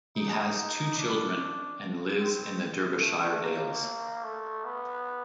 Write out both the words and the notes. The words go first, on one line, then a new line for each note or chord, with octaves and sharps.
He has two children and lives in the Derbyshire Dales.
D#4
D4
C4
A3
A#3
A3
B3